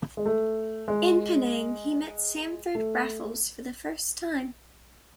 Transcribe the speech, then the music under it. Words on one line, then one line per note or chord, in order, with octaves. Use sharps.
In Penang he met Stamford Raffles for the first time.
G#3
A3
G#3
A3